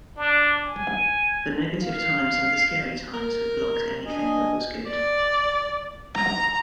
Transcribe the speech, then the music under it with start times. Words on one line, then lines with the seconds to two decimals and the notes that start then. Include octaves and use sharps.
The negative times and the scary times have blocked anything that was good ...
0.17 D4
0.65 G#5
1.82 F5
3.14 A#4
4.06 D4 D#5 G#5
4.87 D5
6.16 A#5